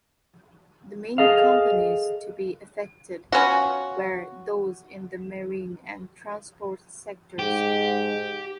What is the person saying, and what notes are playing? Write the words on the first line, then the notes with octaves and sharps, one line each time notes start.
The main companies to be affected were those in the marine and transports sectors.
G#4 A4 D#5 F5
B3 C#4 F4 F#4
G#2 G4